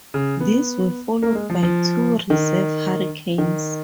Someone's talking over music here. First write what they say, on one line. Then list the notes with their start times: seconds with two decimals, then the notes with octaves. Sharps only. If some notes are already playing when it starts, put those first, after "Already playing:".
These were followed by two reserve Hurricanes.
0.14 C#3
0.40 B3
1.23 A#3
1.35 G#3
1.50 F3
1.63 F3
2.30 D#3
3.38 D#3